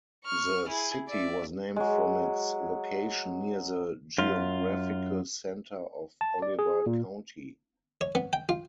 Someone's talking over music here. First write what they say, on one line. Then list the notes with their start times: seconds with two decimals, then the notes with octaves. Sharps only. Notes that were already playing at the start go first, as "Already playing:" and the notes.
The city was named from its location near the geographical center of Oliver County.
0.25 C#6 F6
0.68 E4 G#4
1.08 D5 E5
1.76 F#3 G#3
4.18 F#2 F4
6.21 A5
6.42 D5
6.59 G#4
6.86 A#2
8.01 C#5
8.15 B3
8.33 G5
8.49 F4